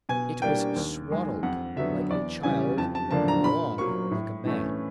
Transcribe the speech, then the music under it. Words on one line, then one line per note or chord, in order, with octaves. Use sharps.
It was swaddled like a child and long like a man.
B2 G#5
G3 A#3 D4 G5
D#2
D#3 G#3
F2 F#5
D3 F#3 B3 E5
E2 D5
C#3 E3 G3 G#5
F2 A5
A5
D3 F3 A#3 D4 A5
A#5
A#2 B5
F#3 A#3 C#6
A2
E3 A3 C#4